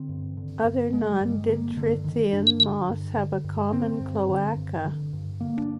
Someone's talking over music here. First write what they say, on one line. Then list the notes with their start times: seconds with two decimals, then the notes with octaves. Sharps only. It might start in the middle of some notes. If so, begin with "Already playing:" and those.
Other nonditrysian moths have a common cloaca.
Already playing: D3 C4
0.09 G2
0.37 D3
0.64 G2
0.92 D3 G#3
1.12 G3
1.21 G2
1.30 G#3
1.49 D3 A#3
1.77 G2 D3
2.04 D3 D#3
2.33 G2 D4
2.60 D3
2.88 G2
3.17 D3
3.44 G2
3.72 D3 C4
4.00 G2
4.29 D3
4.56 G2
4.85 D3
5.13 G2
5.40 D3 A#3
5.57 D4